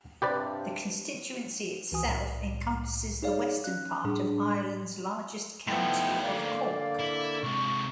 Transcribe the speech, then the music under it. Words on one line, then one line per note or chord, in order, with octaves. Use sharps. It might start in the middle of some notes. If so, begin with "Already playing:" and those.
The constituency itself encompasses the western part of Ireland's largest county of Cork.
G2 C3 G4 B4 D5
C#2 E3 F#4 G#5 D#6
C2 A2
D#4 G#4 C#5 D5 F5
C#4 F#6
A2 G3 D4 G#4
F3 A3 B3 D#4 E4 G5
D3 A#3 D5 F5
E4
C3 G#3 C#6